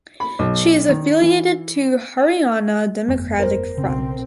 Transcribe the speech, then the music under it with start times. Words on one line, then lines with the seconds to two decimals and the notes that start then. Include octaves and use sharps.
She is affiliated to Haryana Democratic Front.
0.20 B5
0.39 B1
0.89 D#3
1.22 E3
3.08 G1 F2 A3 B3
3.40 A#4 C5
3.77 B1 C#3 C4